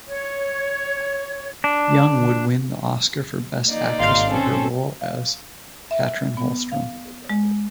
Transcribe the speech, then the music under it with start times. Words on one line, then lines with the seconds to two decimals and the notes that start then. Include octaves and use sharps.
Young would win the Oscar for Best Actress for her role as Katrin Holstrom.
0.08 C#5
1.64 D4
3.66 A#3 D#4 D5
3.98 G#1 F5 C6
4.29 C4 C#4 A4
5.01 F5
5.91 E5
6.37 B3
6.72 F5
7.30 G#3